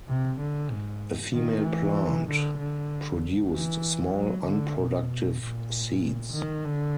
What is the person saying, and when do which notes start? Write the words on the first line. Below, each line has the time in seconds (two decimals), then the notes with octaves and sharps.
A female plant produced small unproductive seeds.
0.08 C3
0.40 D3
0.71 G#2
1.34 D#3
1.65 E3
2.28 D3
2.59 D3
3.52 E3
4.14 F#3
4.45 D3
4.77 B2
5.40 A#2
6.33 D#3
6.64 D3